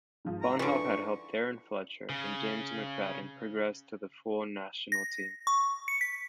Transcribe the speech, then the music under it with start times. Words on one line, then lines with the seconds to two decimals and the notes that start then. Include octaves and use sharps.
Bonhof had helped Darren Fletcher and James McFadden progress to the full national team.
0.25 G#2 F3
0.42 A#5
0.59 D3 E3 C#6
2.10 C#3
4.92 A#6
5.47 C#6
5.88 C#7
6.01 B6